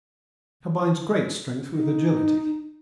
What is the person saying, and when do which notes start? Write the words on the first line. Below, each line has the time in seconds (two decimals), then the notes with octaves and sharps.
Combines great strength with agility.
1.75 D#4